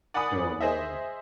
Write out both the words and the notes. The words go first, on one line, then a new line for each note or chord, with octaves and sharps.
Oh, no.
D5 F#5 G#5 B5 D#6
G#4 C5 D#5 E5